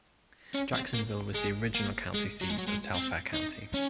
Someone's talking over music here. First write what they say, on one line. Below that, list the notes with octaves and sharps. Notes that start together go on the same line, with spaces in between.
Jacksonville was the original county seat of Telfair County.
C#4
C4
A#3
G#3
A#3
G#3
F#3
G#3
F#3
G#3
C4
D#4
C#4